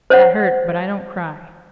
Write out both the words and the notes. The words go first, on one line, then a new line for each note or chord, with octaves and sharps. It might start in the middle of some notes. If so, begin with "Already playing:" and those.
"That hurt, but I don't cry."
C5 C#5 F#5